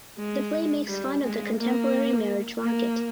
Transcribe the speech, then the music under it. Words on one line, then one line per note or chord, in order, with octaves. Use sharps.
The play makes fun of the contemporary marriage market.
G#3
G3
G#3
A#3
A#3